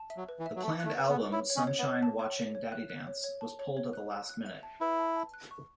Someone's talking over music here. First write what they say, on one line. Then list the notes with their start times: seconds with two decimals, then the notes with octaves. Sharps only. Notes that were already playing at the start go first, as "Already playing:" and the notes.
The planned album, "Sunshine Watching Daddy Dance", was pulled at the last minute.
Already playing: A5
0.10 E5
0.17 F#3
0.29 B4
0.39 E3
0.46 E5
0.56 F#3
0.62 A3 A5
0.80 F#6
0.85 A3
0.97 B4
1.10 B3
1.15 B4
1.32 E4 C#5
1.50 C#5
1.56 C#4
1.67 C#5
1.79 B3
1.84 C#5
2.03 A5
2.19 C#5
2.37 C#5
2.55 C#5
2.72 F#6
2.90 F#6
3.07 C#5
3.24 C#5
3.41 A5
3.59 C#5
3.77 C#5
3.93 F#6
4.11 F#6
4.29 F#6
4.46 E5
4.63 A5
4.81 E4 B4
4.99 A5
5.16 A5
5.34 F#6
5.51 C#6